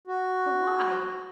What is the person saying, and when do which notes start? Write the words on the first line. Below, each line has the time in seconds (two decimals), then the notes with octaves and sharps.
"But why?"
0.07 F#4